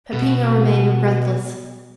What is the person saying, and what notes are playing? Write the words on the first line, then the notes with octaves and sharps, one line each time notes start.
Peppino remained breathless.
B2